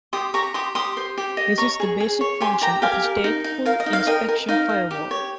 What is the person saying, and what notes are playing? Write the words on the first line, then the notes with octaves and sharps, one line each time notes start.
This is the basic function of a stateful inspection firewall.
G4 C6 D#6
G4 A#5 C#6
G4 C6 D#6
G4 C6 D#6
C5
G4
D#5
C#5 A#5 C#6
G#4
G#4
C#5
G4 G#5 C6
G4 G5 A#5
G4 F5 G#5
A#4
D#4
D#4
A#4 F5
D#5
D#4
F5
A#4 D#5 G5
A#4
D#4 F5
D#4
G4
C#5